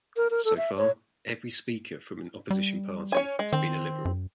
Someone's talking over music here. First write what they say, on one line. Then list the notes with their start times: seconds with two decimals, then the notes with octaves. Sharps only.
So far, every Speaker from an opposition party has been a Liberal.
0.17 A#4
0.31 A#4
0.45 A4
0.57 E5
0.77 C#5
2.51 G3
3.12 C#4 C#5 G#5
3.39 G#3
3.53 D#3 C4
4.05 F#2